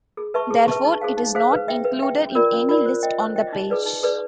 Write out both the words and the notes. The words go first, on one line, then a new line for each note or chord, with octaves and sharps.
Therefore, it is not included in any list on the page.
G#4
B4 E5 A5 C#6
G#4
B4 E5 A5 C#6
D#4
G#4 C5 F5
D#4
G#4 C5 F5
B4
E5 G5
B4
E5 G5
C#4
F4 A#4 D5
C#4
F4 A#4 D5
C5
D#5 G5
C5
D#5 G5
D#4
G#4 B4 D5
D#4
G#4 B4 D5